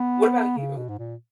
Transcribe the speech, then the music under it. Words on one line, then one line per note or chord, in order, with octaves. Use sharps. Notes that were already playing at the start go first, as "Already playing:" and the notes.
What about you?
Already playing: B3
C#3
B2
G#2
A#2